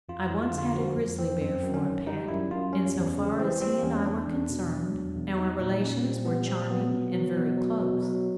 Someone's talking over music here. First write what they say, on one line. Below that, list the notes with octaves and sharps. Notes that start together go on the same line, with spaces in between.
I once had a grizzly bear for a pet, and so far as he and I were concerned, our relations were charming and very close.
F2 F4
F2 E4
F4
D3 F4
F3 F#4
F2
F2 C4
F#2 C4
F#2
C#4
D#3
G3 D#4
F#2 E4
F#2 F4
G3 C#4
E2
C#3
E3 C4
G3 C4
E2 C#4
E2 D4
E2
B2
F#3
E2
E2
G3 D#4
A#2 D#4
G3 C#4
A#2 C4
G3 B3
A#2 C4
F#3 B3
B2
F#3
B2
F#3
B2
F#3